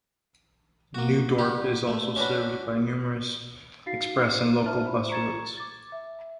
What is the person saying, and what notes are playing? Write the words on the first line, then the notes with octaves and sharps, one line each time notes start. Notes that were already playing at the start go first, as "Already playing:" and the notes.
New Dorp is also served by numerous express and local bus routes.
A#3 F#4
B3 G4
A3
C#4 D4 F#4 B4
D#4 F#4 F5 A6 C7
D#4 C5 E5 A5 F6
C5 B5
A#5 C#6 G#6 A6 C#7 E7
D6 A6
E5